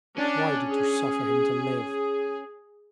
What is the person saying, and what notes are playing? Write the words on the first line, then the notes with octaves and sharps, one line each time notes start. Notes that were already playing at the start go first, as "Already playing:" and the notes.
"Why did you suffer him to live?"
C#4 D4
G#4